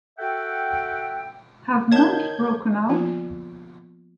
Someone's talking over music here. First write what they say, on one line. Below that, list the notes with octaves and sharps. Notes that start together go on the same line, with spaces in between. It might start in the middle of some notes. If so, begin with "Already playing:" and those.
Have mumps broken out?
F#4 A4 E5 F#5 G5
D#3 C#5 A5 G6 G#6
F3 A#3 B3 F4